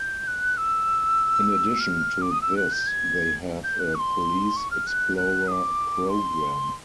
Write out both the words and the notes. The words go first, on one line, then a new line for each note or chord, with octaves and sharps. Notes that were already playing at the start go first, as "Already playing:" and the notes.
In addition to this they have a Police Explorer program.
Already playing: G6
F#6
E6
F6
D6
D#6
E6
F#6
G6
G#6
G6
F#6
C#6
C6
C#6
F6
F#6
F#6
D#6
D6
C6